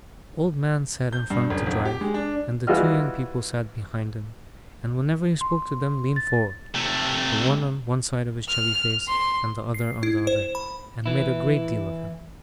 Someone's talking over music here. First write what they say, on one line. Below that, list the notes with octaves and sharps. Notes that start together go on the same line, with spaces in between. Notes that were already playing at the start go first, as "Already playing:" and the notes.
The old man sat in front to drive, and the two young people sat behind him, and whenever he spoke to them leaned forward, the one on one side of his chubby face and the other on the other, and made a great deal of him.
G6
G2
F#1
F1
G4
G#3
D4
E3 G3 F4 F#4 D#5 F6
C6
A6
C3 A3
F6
C6
C7
E4
C5
B5
E3 E4